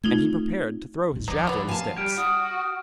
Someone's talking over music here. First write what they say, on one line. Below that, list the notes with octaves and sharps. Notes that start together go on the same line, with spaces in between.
And he prepared to throw his javelin-sticks.
A3 C4 D#4 F4 G#6
D#2 A2
D3 F3 D#4
F#3 B3
F5 G#5 A5
G3 F6 D7
F#4 D#6